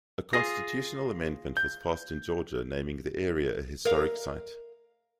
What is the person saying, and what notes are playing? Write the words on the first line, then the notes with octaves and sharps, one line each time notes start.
A constitutional amendment was passed in Georgia naming the area a historic site.
F4 G#4 A#6
G6
A#4 F5